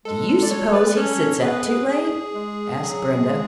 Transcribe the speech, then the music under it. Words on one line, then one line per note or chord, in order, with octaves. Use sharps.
"Do you suppose he sits up too late?" asked Brenda.
G#3 A4
A4
D5
A4 C#5
B4 D5
B4
C#4 A4 C#5
B3 G#4 B4
G#4
G#3
F#3
G#3